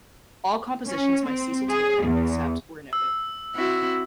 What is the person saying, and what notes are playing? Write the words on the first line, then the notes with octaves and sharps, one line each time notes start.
All compositions by Cecil Taylor except where noted.
C#4
C4
G#4
E2
E6
C4 E4 F#4